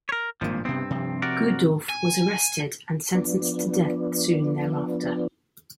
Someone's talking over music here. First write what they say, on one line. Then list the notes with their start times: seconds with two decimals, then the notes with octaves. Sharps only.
Guddorf was arrested and sentenced to death soon thereafter.
0.09 A#4 C#5
0.41 G#1 G2 A#2 F3 A#3
0.65 G2 C3 B3 C4
0.90 C3 F3
1.22 F#4 A#4 D5
1.89 G#5
3.15 F3 B3 D4